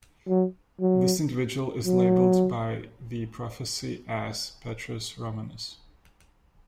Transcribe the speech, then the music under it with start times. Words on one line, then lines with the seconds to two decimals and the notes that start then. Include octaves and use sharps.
This individual is labelled by the prophecy as Petrus Romanus.
0.29 F#3
0.81 F#3
1.86 F#3